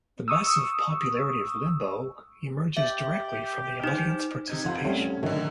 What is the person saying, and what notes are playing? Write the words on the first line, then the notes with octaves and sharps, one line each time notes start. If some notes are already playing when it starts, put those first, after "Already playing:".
The massive popularity of limbo emerges directly from this audience participation.
C#6 D#6 E6
G4 E5
D#4 C5
C3 D#4 G#6
F2 F3 F4 A4 F#5 G#6
G3 A3 C4 C#4
D3 D#3 F#3 A3